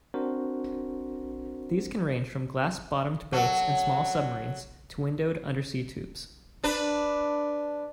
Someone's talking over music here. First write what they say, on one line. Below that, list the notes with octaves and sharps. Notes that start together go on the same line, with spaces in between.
These can range from glass-bottomed boats and small submarines, to windowed undersea tubes.
C4 D4 F#4 A#4 C5
F#3 A4
D4 B4